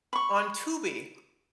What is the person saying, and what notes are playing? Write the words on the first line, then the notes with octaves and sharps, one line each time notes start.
on Tubi
B5 C#6